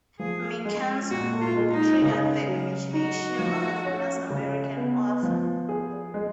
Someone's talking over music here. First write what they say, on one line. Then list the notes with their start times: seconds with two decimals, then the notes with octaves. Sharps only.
Mencken's book triggered the imagination of a famous American author.
0.20 F3 G#4
0.65 G#3
1.11 A#2 F#4
1.41 F4
1.56 G#3
1.71 D#4
2.02 C#3
2.48 F#3
2.93 D#4 F#4
3.39 F3
3.85 C#4
4.30 C#3
4.77 B3
5.23 F3
5.69 G#4
6.14 G#3